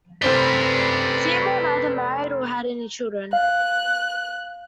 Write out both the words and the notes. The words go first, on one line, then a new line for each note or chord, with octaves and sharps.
Seymour neither married or had any children.
F1 C4 B4 D5 G7
F5 F#6